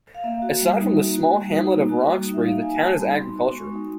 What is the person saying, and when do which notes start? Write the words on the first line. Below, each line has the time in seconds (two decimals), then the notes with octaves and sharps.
Aside from the small hamlet of Roxbury, the town is agricultural.
0.15 F5
0.24 A#3 E5
0.42 F#4
0.61 G3
0.79 D#4
0.97 A#3
1.15 F#4
1.34 G3
1.52 D#4
1.71 A#3
1.89 F#4
2.07 G3
2.25 D#4
2.34 E5
2.44 A#3 F5
2.62 F#4 G#5
2.80 G3 A5
2.99 D#4 B5
3.17 B3 C6
3.36 F#4
3.44 C6
3.53 G#3 C#6
3.72 D#4